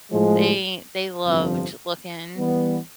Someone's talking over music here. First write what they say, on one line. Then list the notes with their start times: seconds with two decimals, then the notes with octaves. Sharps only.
they they loved to looking,
0.11 A2 F3 G#3
1.24 G1 F2 C3 F3
2.38 E3 G3 B3